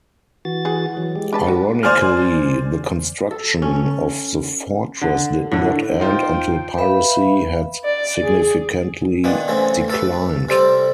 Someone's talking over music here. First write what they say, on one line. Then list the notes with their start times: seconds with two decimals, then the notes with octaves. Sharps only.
Ironically, the construction of the fortress did not end until piracy had significantly declined.
0.45 E3 F#4 A6
0.65 G#4 F#5
0.97 E3 F#3
1.16 G#3 G4
1.33 D4 B4 A5
1.48 F#4
1.83 C5 D5 G#5 F6
3.31 A4
3.62 C#4
5.01 D3
5.52 A2 D3
6.00 D#4 F4 C5 G5
6.78 B4 E5 F5 B5
7.85 D5
8.23 G#4
9.24 A#2 D#3 B3 D4
9.48 A2 C#3 E3 C4
9.88 A3 A4 B4
10.49 C3 G3 A4 C5 D5